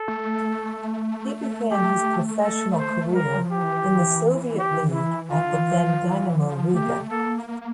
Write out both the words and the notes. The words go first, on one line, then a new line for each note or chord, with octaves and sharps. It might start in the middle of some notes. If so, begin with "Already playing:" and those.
He began his professional career in the Soviet League at the then Dinamo Riga.
Already playing: A4
A3
A3 G4
A4
C5
G3 A#4
F3
G4
E3
G4
E4
D3 F4
E3
D3
E3
F3
E3
F3
A3 G4
A#3
A3
A#3 A4